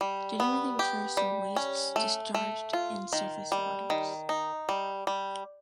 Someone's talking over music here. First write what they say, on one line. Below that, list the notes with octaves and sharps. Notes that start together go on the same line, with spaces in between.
Generally refers to wastes discharged into surface waters.
G3
B3
G4
G3
C#4
A3
A3
F4
D#3
G3
D#3
D#4
G3
G3